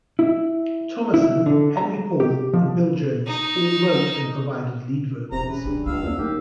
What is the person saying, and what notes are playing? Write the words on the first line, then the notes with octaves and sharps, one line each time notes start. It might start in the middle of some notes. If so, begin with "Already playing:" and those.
Thomasson, Henry Paul, and Bill Jones, all wrote and provided lead vocals.
E4
E4
D3
A#5
G4
F3
D#4
E1 C3 E3 A#5
C#3 B4
G2 D3
C#2 A3 F5 E6
F#1 E2
D#2 D3 G4